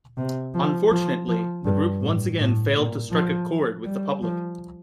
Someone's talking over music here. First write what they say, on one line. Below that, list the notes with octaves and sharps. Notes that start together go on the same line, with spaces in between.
Unfortunately, the group once again failed to strike a chord with the public.
C3
F3
F3
F3
G2
A2
A2
A#2
F3
G3
F3